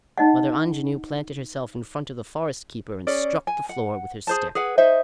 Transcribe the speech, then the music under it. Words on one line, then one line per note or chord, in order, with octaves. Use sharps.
Mother Angenoux planted herself in front of the forest-keeper and struck the floor with her stick.
D#4 D#5 F#5
C#4 G#4 D5
G#5
F#5
G#4 C5 A5
G#4 B4 F#5
D#4 C5 E5